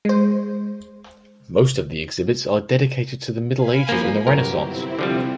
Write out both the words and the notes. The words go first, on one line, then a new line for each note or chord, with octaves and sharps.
Most of the exhibits are dedicated to the Middle Ages and the Renaissance.
G#3 C5
F5 G#5 B5
F3 A#3
G1 F#2 G4 A#4
C3 C4 E4
D3 F3 G3